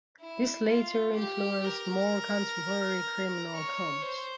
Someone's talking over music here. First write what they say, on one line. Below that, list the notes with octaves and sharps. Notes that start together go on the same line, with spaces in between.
This later influenced more contemporary criminal codes.
E4
F4
G4
A#4
C#5
C5